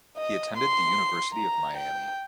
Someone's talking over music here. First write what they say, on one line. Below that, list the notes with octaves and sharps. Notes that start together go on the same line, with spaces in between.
He attended the University of Miami.
D#5
C6
A#5
G5